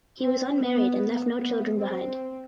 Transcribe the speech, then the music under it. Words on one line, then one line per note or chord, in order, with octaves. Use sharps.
He was unmarried and left no children behind.
C4
B3
B3
C4